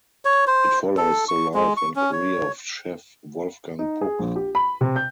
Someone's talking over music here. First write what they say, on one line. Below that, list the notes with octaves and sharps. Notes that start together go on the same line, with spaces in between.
It follows the life and career of chef Wolfgang Puck.
C#5
C5
A4
C#6
G#3
C#6
C#4
C#5
D#4
G#4
A#1
G4
B5
C3
G6